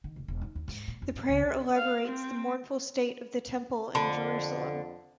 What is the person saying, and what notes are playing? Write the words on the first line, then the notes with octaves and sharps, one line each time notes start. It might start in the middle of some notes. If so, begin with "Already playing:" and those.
The prayer elaborates the mournful state of the Temple in Jerusalem.
D#3
F1
E1
D#4
D#2
G#2
A#2
F2
A2
C#2
F5
C4
F2 D3 A5 B5